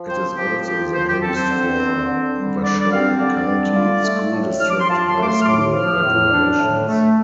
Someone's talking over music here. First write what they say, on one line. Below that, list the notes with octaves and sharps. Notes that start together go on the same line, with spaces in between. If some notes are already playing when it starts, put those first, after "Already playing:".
It is also the host for Washoe County School District high school graduations.
Already playing: F3
C4 C5
F3 G4
F4 G4
F3 C5
G4
C4 A4
C5
D3
C4
D3
G3
D3 D5
D5
C4 F5
D3 D5
G3
F4
A3
A2
F3 F6
D6
C6
F4 A5
C6
A3 D6
C6
F6
A2 D6
F3 F6
A2
D4
A2
A3